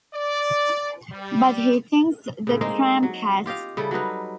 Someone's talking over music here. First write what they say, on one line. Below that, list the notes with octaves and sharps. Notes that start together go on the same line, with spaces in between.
But he thinks the tramp has.
D5
G3
A2 C#3
G#3 A#3 C4 D#4
F#3
F4 G4 D#5 F5
C#3 G3 E4 A4
F#3 G3 D#4 B4